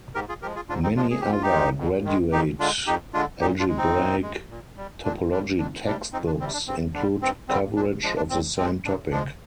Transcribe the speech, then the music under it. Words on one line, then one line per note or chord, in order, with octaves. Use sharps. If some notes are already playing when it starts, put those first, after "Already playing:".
Many other graduate algebraic topology textbooks include coverage of the same topic.
G#2 G4 A#4
F4 G#4
F3 G#3 G4 A#4
F4 G#4
G#2 D4 F4
C4 D#4
F3 G#3 D4 F4
G#4
F2 G4
F4
D#4 G4
D#3 G#3
F2
D#3 G#3
F2 D#4 G4
D3 G#3 D4 F4
F2 D#4 G4
D3 G#3 D4 F4
A#2 D#4 G4
D4 F4
G#3
C4 D#4
A#2
G#3
A#2
G3
A#2 D4
G3 D4
F2 D4
C3 G3 D4
F2 C4 D#4
D4
C3 G3 C4
D4
G2 C4
D3 G3 D4
G2 C4
D3 G3 C4
A#2 D4
F3 G#3 D4
D4
A#2 C4
F3 G#3 C4
G#2 D4
F3 G#3 D4